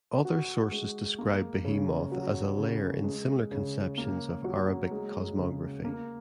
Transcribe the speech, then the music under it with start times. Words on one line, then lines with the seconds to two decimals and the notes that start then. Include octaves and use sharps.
Other sources describe Behemoth as a layer in similar conceptions of Arabic cosmography.
0.25 F#4
0.71 G#3
1.19 A#3
1.65 C#3
2.12 F#3
2.58 C#3
3.04 G#3
3.52 C#3
3.98 A#3
4.44 F#3
4.91 G#3
5.37 C#3
5.85 A#3